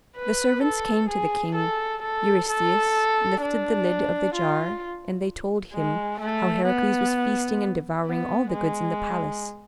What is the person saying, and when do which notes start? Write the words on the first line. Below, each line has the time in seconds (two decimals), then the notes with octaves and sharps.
The servants came to the king; Eurystheus lifted the lid of the jar and they told him how Heracles was feasting and devouring all the goods in the palace.
0.17 B4
0.63 A4
1.09 G#4
1.56 A4
2.03 A4
2.49 A4
3.42 D4
4.35 F4
5.74 G#3
6.21 A3
6.66 B3
8.06 B3
8.52 G#3